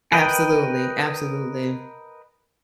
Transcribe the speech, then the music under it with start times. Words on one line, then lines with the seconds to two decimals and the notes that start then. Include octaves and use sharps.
Absolutely. Absolutely.
0.12 A#4 B4 D#5 G5